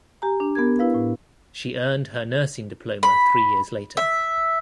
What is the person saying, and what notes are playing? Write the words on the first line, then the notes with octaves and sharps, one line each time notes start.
She earned her nursing diploma three years later.
G4 G#5 A#5
D4
B3 G4 A#4 G#6
E4 B4 F5
A2
B5
E5